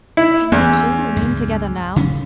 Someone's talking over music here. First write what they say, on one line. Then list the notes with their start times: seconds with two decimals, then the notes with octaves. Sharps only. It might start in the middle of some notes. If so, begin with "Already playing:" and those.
"Can we two remain together now?"
0.17 E4
0.52 E2 A#3 C#4
1.16 C#2 G2
1.96 C#3 C#4